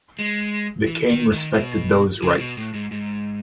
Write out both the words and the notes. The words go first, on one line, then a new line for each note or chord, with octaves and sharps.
The king respected those rights.
G#3
E3
D#3
D#3
B2
C#3
B2
A2
G#2
G#2